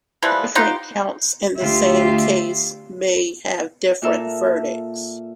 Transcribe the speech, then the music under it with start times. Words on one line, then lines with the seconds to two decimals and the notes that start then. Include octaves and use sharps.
Different counts in the same case may have different verdicts.
0.22 E3 F3 G3 B3
0.55 B3 D#4 F4 G4
1.57 D2 F4 G4 E5
4.02 A#2 F4 A4 A#4 E5 E6